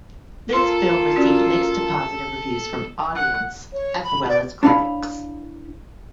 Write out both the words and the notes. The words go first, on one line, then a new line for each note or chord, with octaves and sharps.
This film received mixed to positive reviews from audience as well as critics.
A#3 F4 A4 C6
C#4 F#4 D5
F#5
C#5
B5
D5
D4 E4 C#5 F5 A5 B5